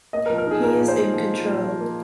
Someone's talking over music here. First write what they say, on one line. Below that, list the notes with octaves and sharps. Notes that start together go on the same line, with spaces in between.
He is in control.
A#3 D#5
A#4
F3
A#4
D#4 G#4
A#2 A#4
A#2
C5
D#4
F3
F3
A#2
F3
A#3